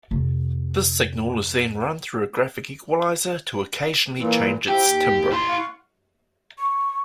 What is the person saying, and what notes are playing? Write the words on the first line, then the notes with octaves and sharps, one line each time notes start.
This signal is then run through a graphic equaliser to occasionally change its timbre.
F2 C3
A#2 E3
F3 E4 G4
D#2
E4 C6
F5 F#5 C#6
C#6